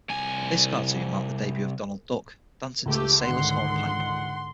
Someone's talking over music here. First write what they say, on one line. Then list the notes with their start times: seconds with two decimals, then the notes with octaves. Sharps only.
This cartoon marked the debut of Donald Duck, dancing to the Sailor's Hornpipe.
0.10 C2 G#5
2.86 C#2 A3 G4
3.21 G#2 D3 D#3 F#5 C6